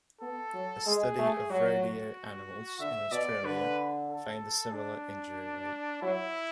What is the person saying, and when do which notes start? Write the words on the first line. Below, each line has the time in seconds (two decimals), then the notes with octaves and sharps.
A study of rodeo animals in Australia found a similar injury rate.
0.21 B3 A4
0.54 F#3
0.86 G#3 G#4
1.19 A3
1.50 F#3 F#4
1.83 F#4
2.80 D3 E5
3.11 B2 D5
3.44 D3 B4
4.09 A4
4.73 D4
6.02 F#3 E4